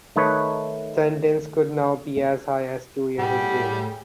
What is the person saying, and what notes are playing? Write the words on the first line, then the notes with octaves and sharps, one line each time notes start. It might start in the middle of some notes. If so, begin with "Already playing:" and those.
Sentence could now be as high as two years in jail.
D#3 A3 D#4 B4 C#5
A2 G3 G#4 F#5 G5